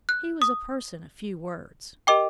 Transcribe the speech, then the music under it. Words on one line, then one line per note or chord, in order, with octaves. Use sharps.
He was a person of few words.
F#6
D#6
G4 A#4 D#5 G5 D6